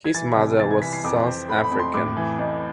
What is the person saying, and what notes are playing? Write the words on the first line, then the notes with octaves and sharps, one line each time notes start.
His mother was South African.
G#6
E3 A6
C2
E3 A6
G#6
E3 B6
C7
F2 D6
C4
A3 B5
B5
F2
C6
A2 D6
E3
A1